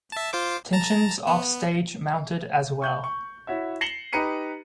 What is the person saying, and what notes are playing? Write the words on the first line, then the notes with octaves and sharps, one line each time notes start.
Tensions offstage mounted as well.
E5 A5
F4 C5 D6
A5 A#5 A6
B3
C#6 G6 F#7
C#6
E4 F#4 C#5 E5
A#6 C7 C#7 E7 F#7 G7
D#4 G4 B4 A#5 C#7 D#7